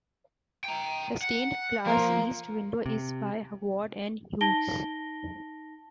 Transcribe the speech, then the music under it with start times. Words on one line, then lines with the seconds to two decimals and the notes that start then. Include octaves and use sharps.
The stained glass east window is by Ward and Hughes.
0.64 G5 A#5
1.22 F#5
1.86 F3 A#3
2.86 C3
4.41 D#4 A5 A#6 D7 G7